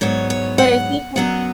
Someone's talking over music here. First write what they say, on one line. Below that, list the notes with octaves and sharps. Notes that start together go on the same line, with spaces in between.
But it seems like
G#2 F#3 B3 C#5
C#5
F#5
F#2 F#3 B3 F#5